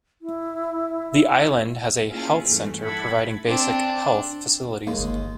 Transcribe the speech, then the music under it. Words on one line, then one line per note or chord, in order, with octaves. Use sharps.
The island has a health center providing basic health facilities.
E4
A#3 C#4 E4 F4 G#4
E2 G2 E3 A3
E4 A4 F#5 B5 G#6 A6
C4 D4
D#2 G#3 A#3
G1